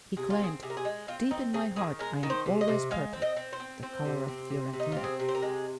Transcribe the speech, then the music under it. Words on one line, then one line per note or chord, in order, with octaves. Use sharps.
He claimed: "Deep in my heart I am always purple", the colour of Fiorentina.
C3 G#4
F4
C4 G#4
C3 G#4
A#4
G#4
G#3
C4 F4
C4 D#4
C4 G#4
D#3 G#4
G#3 A#4
D#3
C5
C3
D#5
C3
G#3 F5
C4
D#5
C4
C5
C4
C4 C5
C3
C4
C3
C3
D#4
C4 F4
G#4
C3
C5
A#4
G#3